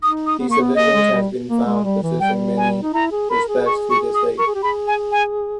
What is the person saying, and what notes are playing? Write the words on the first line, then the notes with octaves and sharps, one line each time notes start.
These divisions have been found to persist in many respects to this day.
D#4 D#6
D#6
B3
A#3 C#6
B3
A#3 D#5
G#3
G3
A#3
G#3
G3
E3
G3 G5
G#5
D#4
E4 A#5
G#4
A#4 B5
G#4
G#4 C#6
C#6
D#6
A#4 C#6
G#4
G4
G#4 B5
G#5
G#5